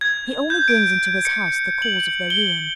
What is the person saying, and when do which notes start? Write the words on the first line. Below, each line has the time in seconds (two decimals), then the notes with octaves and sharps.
He only brings into his house the cause of their ruin.
0.01 G#6
0.50 G6
0.68 D7
1.25 C#7
1.82 F#7
2.30 G7